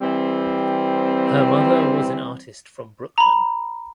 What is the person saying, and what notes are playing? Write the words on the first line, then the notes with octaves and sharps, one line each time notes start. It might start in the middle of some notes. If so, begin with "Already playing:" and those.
Her mother was an artist from Brooklyn.
E3 G3 C4
A#5 B5